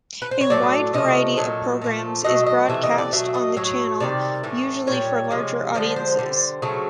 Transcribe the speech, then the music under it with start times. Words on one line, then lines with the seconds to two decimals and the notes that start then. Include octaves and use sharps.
A wide variety of programs is broadcast on the channel, usually for larger audiences.
0.22 B4
0.31 C5
0.41 C#5
0.50 A2 F#3 A3 D5
0.94 C3 F3 A3 D#5
1.37 A#2 F#3 A3
1.82 A#2 F3 A3
2.24 B2 F#3 A3 D#5
2.46 D#5
2.69 C3 E3 A3 E5
2.83 D#5
2.98 D5
3.13 B2 F#3 A3 E5
3.34 D#5
3.57 A2 F#3 A3 C#5
4.00 C3 D#3 G3 D5
4.43 A2 E3 A3
4.87 A#2 G3 C#5
5.31 C3 F3 G#3
5.75 D3 F3 G#3 C5
5.96 C5
6.19 D3 G3
6.62 C#3 F#3 A3